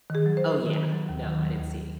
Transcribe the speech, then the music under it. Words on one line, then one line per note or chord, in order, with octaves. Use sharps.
Oh yeah, no, I didn't see
D#3 G#4
F#3
C5
F#3
D#3
D#3
F#3
D#2
D#3
F#3
D#2